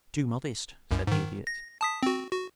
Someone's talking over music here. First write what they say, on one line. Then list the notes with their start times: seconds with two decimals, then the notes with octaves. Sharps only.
"Too modest," said the Idiot.
0.91 C2 F#2
1.07 G#2 D#3
1.47 A#6
1.81 A5 D#6 B6
2.03 C4 F#4
2.32 F#4